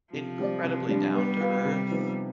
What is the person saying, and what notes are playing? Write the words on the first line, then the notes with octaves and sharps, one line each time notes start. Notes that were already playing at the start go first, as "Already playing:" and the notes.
incredibly down-to-earth,
C3 F3
G3 C4 G4 D5
C3
G3 D4
G3 B3
F4 B4
C3
F3 B3 D#4